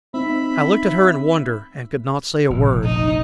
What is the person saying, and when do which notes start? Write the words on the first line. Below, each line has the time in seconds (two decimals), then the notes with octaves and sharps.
I looked at her in wonder, and could not say a word.
0.14 C4 D#4 E5 B5
2.50 F1 A#1
2.84 D#4